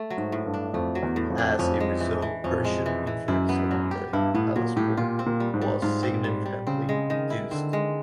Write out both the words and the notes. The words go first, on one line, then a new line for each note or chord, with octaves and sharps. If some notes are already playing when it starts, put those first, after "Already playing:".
As a result, Persian influence along the Hellespont was significantly reduced.
Already playing: A3
F#3
G#2
A2
G2
D4
F2 A3
F#3
E2
A2
F2
D4
F2 C#4
G#3
E3
E3
F2 C#4
G#3
E3
E3
F#2 E4
B3
F#3
G4
G2 E4
A2 B3
A#2 F#3
A2 G4
A#2 F4
C4
A#2
G3
G#2
G3
G#2 F4
C4
G3
G3
C#3 C4
G#3
D#3
E4
D3 C4
G#3